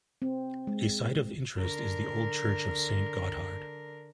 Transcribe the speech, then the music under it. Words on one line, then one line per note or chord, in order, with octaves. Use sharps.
A site of interest is the old church of Saint Gotthard.
C4
G#3
D3 A#4